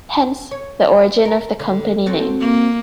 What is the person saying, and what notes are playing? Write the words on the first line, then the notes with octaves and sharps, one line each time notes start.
Hence, the origin of the company name.
C#5
A#4
D3
C4 F#4 A4
A#3